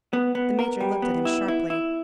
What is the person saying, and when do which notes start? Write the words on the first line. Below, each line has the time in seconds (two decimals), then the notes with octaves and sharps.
The Major looked at him sharply.
0.13 B3
0.35 B3
0.59 A#4
0.81 G3
1.02 B3
1.25 E4
1.48 E4
1.70 E4